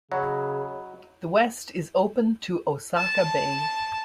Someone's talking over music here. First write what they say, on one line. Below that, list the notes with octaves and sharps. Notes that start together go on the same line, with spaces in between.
The west is open to Osaka Bay.
C#3 F#3 C#5 D#5 B5
A5